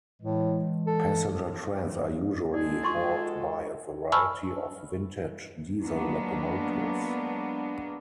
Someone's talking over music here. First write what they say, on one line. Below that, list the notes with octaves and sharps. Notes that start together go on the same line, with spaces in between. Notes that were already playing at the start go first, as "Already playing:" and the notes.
Passenger trains are usually hauled by a variety of vintage diesel locomotives.
A2 E3 G#3
A4
G#3 F#4 G#4 A4 D5
F4 D#5 C6 C#6
G#5 A5 B5 C#6 E6 F6
F#3 G#3 A#3 B3 D4